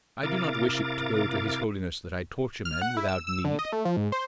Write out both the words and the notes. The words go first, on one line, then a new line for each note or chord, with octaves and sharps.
I do not wish it to go to his holiness that I torture men without need.
C3 E4 A#4 F5 D6 A6
F6
F#5
E4
E6
E6
D3
D#5
A3
F3
G#2
C5